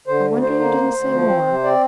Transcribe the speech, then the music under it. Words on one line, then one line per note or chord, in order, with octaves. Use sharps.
"I wonder you didn't say more."
D3 C5
D2
D3 C5
A#3
D2
D2
F3
C4
C3
C4 D5